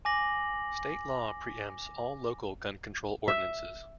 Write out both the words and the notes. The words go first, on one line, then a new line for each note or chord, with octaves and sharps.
State law pre-empts all local gun control ordinances.
G#5 D6 A#6 F#7
E5